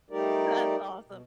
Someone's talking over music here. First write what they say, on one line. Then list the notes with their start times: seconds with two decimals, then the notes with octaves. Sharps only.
That's awesome.
0.11 G3 A3 D#4 G4 A#4 D5
1.06 B2